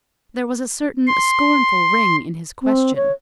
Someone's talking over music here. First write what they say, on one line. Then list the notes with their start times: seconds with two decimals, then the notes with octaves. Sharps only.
There was a certain scornful ring in his question.
1.07 C6
2.62 C4
2.96 C#5